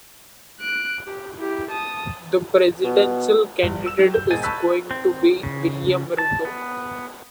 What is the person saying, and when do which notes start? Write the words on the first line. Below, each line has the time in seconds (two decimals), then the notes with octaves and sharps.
The presidential candidate is going to be William Ruto.
0.61 F#6 D7
1.06 G4
1.37 E4 G4
1.71 A5 D#6
2.84 B2
3.63 G1 G3
3.86 E6 E7
3.99 F#3 G4
4.14 G6
4.30 G#1 B2 G#4 G#6 A6 D#7
4.43 A5 B5 C#6 E6 F#6 B6
4.91 C4
5.43 C#3
6.18 A5
6.45 B3